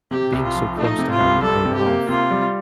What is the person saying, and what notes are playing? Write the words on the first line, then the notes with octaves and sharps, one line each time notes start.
being so close to having it paid off,
C3 G4
C2
F4
F3
A3 D#4
C3
F4
C2
G3 A4
C3
G4
A#3
C3 F4
G3